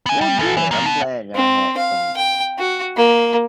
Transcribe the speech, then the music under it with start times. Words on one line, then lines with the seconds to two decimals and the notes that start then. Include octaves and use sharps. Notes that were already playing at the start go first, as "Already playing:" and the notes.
Well, good, I'm glad I had some,
0.06 B3 G#5
0.21 G3
0.39 E3 A4
0.57 E3
0.71 F3 A#3
0.85 B2
1.35 C4
1.77 F5
2.17 G5
2.58 F#4
2.96 A#3